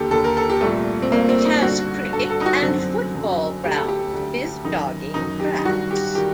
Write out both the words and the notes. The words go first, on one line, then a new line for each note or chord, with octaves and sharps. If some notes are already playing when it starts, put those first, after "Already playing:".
It has cricket and football grounds with jogging tracks.
Already playing: D#2 D3 G4 A4
D#2 D3 A4
A#4
A4
G4
C2 A#2 A3
C4
C2 A#2 A#3
C4
D#4
G2 D3 F#4
G2 D3 A4
A4
D#4
F#4
F#2 D3 C4
F#2 D3
D2 D3 G4
A4
G4
D2 D3
F#2 D#3 D#4
F#2 D#3 D#4
G4
D#4
G2 D#3 F#4
G4
D#3 G4